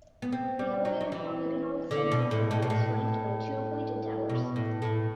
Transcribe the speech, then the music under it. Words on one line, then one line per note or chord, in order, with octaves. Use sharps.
The elevated polygonal central tower is flanked by two pointed towers.
B3
C4
G3
F#3
F#3
E3
D3
B2
A2
A2
B2
A2
B2
A2
A2